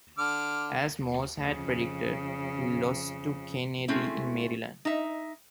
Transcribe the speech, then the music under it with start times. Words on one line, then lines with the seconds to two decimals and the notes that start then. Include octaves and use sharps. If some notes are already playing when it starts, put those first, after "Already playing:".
As Morse had predicted, he lost to Kennedy in Maryland.
0.18 D3 D6 F6
1.39 F2 C#3
3.88 G#3 A3 C4 C#4 E4
4.85 D#4 E5